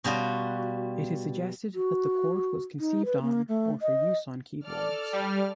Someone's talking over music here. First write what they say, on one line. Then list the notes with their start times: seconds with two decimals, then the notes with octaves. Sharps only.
It is suggested that the chord was conceived on or for use on keyboards.
0.04 B2 G3 F4 F#4
1.75 F#4
2.79 D#4
3.05 B4
3.22 A#3
3.48 A3
3.82 D#5
4.64 A4 D5 F6
5.13 G3